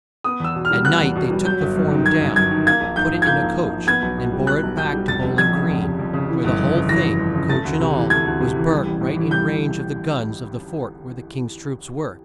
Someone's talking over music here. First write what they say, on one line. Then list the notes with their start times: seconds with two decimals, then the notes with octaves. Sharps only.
At night they took the form down, put it in a coach, and bore it back to Bow-ling Green, where the whole thing--coach and all--was burnt right in range of the guns of the fort where the King's troops were.
0.24 B3 D#6
0.40 E2 E6
0.55 B2
0.65 F6
0.70 G3
0.85 B3 F#6
1.00 E2
1.15 B2
1.30 G3
1.45 F#3 G6
1.61 G1
1.76 F#2
1.91 D#3
2.06 F#3 G#6
2.21 G1
2.36 F#2 G#6
2.51 D#3
2.66 A#3 G#6
2.81 A#1
2.96 G#2 G6
3.12 F3
3.22 G#6
3.27 A#3 G6
3.42 A#1
3.57 G#2
3.72 F3
3.87 B3 G#6
4.02 B1
4.17 B2
4.32 G3
4.47 B3 F#6
4.63 B1
4.78 B2 G6
4.93 G3
5.08 F1 A6
5.23 F1
5.38 F2 G#6
5.54 C#3
5.69 F1
5.84 F1
5.99 F2
6.13 C#3
6.29 E3
6.44 G1
6.59 F2
6.74 C#3
6.89 E3 A#6
7.04 G1
7.20 F2
7.34 C#3
7.50 A3 A6
7.65 D2
7.80 C3
7.95 E3
8.10 A3 G#6
8.26 D2
8.40 C3
8.56 E3
8.71 G3
8.86 A1
9.01 A2
9.16 E3
9.31 G3 G6